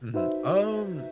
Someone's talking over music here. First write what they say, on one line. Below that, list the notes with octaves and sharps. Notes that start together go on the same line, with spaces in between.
Mhm. Um,
D#4 F#4 B4 C5 E5